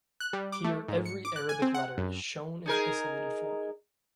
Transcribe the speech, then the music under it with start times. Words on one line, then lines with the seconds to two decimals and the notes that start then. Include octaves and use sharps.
Here every Arabic letter is shown in isolated form.
0.20 F#6
0.33 G3
0.52 D6
0.64 A3
0.88 G#2
1.05 C#7
1.25 D6
1.36 F#6
1.49 G#5
1.62 C4
1.74 F#5
1.98 F#2
2.66 D#4 G#4 A#4